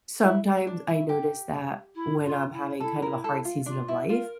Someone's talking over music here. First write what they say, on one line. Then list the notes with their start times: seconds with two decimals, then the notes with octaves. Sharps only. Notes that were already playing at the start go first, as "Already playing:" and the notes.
Sometimes I notice that when I'm having kind of a hard season of life,
0.24 E4
0.67 D4
0.88 E4
1.09 G4
1.95 E4
2.24 F4
2.52 E4
2.80 E4 A4
3.02 A#4
3.24 A4
3.45 F4
3.66 D4 F4
3.88 E4
4.09 F4 A#4